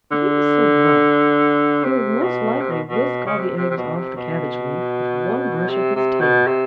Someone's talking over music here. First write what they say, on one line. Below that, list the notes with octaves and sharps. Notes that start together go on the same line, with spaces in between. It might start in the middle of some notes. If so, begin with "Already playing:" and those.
But he was so rough!--he would most likely whisk all the eggs off the cabbage-leaf with one brush of his tail.
D3
C3
B2
C3
B2
B2
C#3
C3
C3
C3
B2
C3
B2
C3
C3
B2
C3